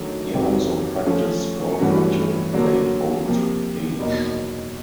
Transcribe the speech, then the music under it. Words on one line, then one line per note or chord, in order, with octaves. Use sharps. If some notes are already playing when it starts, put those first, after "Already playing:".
He also practiced golf until late old age.
Already playing: D#3 F#3 A3 D4
F2 C3 D#3 F#3 B3
F3 A3 C#4 F4 A4
G2 E3 A3 C#4 F#4
D3 F#3 A#3 D4
C3 F3 A#3
E2 B2 F#3 A#3 D#4